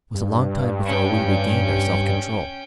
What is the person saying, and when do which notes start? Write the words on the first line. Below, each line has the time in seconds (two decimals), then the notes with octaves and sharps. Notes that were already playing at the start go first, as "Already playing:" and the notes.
It was a long time before we regained our self-control.
0.14 G2
0.85 C#4 G5